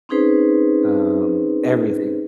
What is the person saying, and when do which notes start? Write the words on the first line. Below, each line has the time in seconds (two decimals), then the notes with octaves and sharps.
um, everything.
0.09 C4 C#4 D#4 G#4 B4 C5